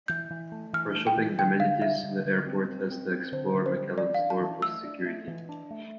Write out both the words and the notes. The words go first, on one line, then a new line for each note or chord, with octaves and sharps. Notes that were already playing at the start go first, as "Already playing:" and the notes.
For shopping amenities, the airport has the Explore McAllen store post-security.
E3 G6
E3
A3
E3 F6
A3
G5
E3
D3 G5
D3 F5
G3 E5
D3
D3
C4
C4
C4
C4
D3 C5
D3
C5
G3
E3 D5
D4 F5
A5
E3
A3 E6
D4
A3
E3
D4
A3